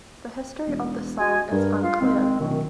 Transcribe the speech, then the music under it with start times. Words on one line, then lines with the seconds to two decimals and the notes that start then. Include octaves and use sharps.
The history of the song is unclear.
0.68 E1
1.19 F#4 D#5 G#5
1.52 G2 A#4
1.82 F4 F5
2.01 C2 D#3 G#3 C4
2.40 D1 F#2 B2 D#3